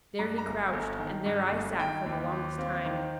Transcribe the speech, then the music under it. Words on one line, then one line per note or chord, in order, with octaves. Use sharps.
There he crouched, and there I sat for the longest time.
G2 A#5
A#5
G1
G1
D#3
G2
G1
D#3 G5
D#2
D#2
C4 F5
D#3